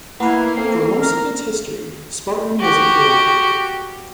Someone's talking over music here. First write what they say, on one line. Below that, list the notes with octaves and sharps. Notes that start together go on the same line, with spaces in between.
For most of its history, Spartan was a cooperative.
A#3 B3 E4 B4
C4 A4
A#4
F#4 G4